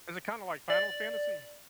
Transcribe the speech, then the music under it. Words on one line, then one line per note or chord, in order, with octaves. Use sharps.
Is it kinda like Final Fantasy?
D5